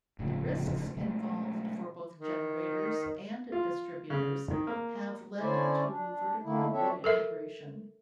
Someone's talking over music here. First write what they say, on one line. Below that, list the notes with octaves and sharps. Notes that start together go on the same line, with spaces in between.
The risks involved for both generators and distributors have led to vertical re-integration.
D#1 A2 C#3 F3
B2 F#3 G#3 A3
D#3
F4
C#3
D#3
A#3
D3 C#4 E4 C5 D5 G#5
D4
D3 D#3 A3 A#3 E4
C4 D4 A4 C#5 E5
A4 A#4 E5